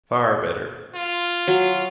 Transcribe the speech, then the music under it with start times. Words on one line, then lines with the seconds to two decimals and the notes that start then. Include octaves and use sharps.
Far better.
0.95 F4
1.47 F#3